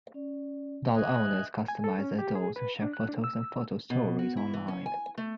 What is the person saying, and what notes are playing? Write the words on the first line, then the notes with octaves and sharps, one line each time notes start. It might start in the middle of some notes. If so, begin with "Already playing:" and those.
Doll owners customize their dolls and share photos and photo stories online.
C#4 D5
D#5 E5 G#5 F#6
G#5
A4
C#4
G4
G#4
B4
D4
F#6
D4
E6
B2
F#4
E4
E3
C#4
G#5
A3